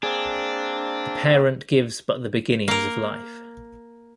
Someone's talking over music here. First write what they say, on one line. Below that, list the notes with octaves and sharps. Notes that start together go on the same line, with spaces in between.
The parent gives but the beginnings of life.
A#3 C4 D4 G#4
A#3 A#4